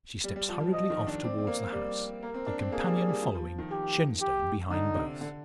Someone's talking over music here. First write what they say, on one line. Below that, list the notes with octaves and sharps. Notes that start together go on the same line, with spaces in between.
She steps hurriedly off towards the house, the companion following, Shenstone behind both.
G3
G3
F3
F3
F3 D#5
D#3
D4
C4 D5
C4
A#3
G3 D5
A#3 A#4
C4
D4
C4
A#3 G#4
G3
G3
G3
F3
F3
D#3
G4
G4
D3 D#4
C3
D3